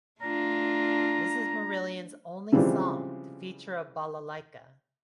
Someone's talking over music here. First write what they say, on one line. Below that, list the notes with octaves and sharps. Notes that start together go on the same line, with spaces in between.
This is Marillion's only song to feature a balalaika.
A3 D4 F4 A#5
C#3 E3 F3 G3 G#3 C4